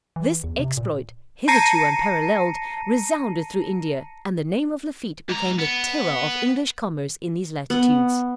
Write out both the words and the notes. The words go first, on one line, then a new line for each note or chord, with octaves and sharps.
This exploit, hitherto unparalleled, resounded through India, and the name of Lafitte became the terror of English commerce in these latitudes.
E3
E2
C3
A#2
A5 A#5 A#6 C7 C#7 D#7
G#2 A#5
B3
B3